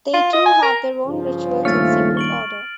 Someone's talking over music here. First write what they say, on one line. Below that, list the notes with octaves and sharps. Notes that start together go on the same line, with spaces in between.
They too have their own rituals and secret order.
F4
D#5
G#5
A#4
G2 C#3 F3
D#1 A3 F4 C#5 F6 A6
C#6 D7 F#7 G7